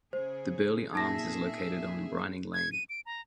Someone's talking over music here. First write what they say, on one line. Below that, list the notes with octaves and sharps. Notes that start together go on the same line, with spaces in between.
The Birley Arms is located on Bryning Lane.
C#3 G#4 C5
A#2 D#4 G#4 E5 A5 A#6
G#6
D#7
D7
A#5